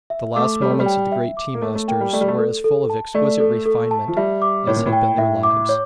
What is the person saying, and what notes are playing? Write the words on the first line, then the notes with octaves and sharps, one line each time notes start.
The last moments of the great tea-masters were as full of exquisite refinement as had been their lives.
E5
A3 D6
G3 C#5
A3
G3
G5
E5
D6
A#3
A3 C#5
A3
A#3 G5
G3
A3 D5
G3
A3
A4
A4
A5
A3 D5
A4
A4
A5
F3
G3 E5
D6
A2 C#5
A#2
A2
G5
A2 E5
D6
C#5